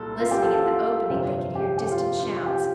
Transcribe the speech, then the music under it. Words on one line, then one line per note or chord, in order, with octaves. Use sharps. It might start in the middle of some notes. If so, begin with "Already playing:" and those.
Listening at the opening they could hear distant shouts.
Already playing: C2 A#2 A4
F4
G4
A4
A4
F4
G1 F2 C3 G3
G4
G4
F4
F4
G4